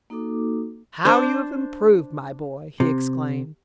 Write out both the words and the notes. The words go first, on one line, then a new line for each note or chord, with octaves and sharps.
"How you have improved, my boy!" he exclaimed.
A#3 D#4 F#4 A4 D6
D4 C5
C3